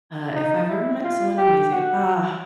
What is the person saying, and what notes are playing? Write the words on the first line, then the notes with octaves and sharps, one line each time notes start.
Uh, if I've ever met someone amazing ah,
D#4
E4
F4
G4
F#4